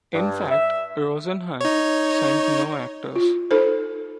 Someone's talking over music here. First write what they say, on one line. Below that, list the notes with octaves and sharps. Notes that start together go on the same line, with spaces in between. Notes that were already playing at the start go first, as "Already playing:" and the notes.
In fact, Rosenhan sent no actors.
G2
E5
D#4 C#5
F4
D#4 A4 C5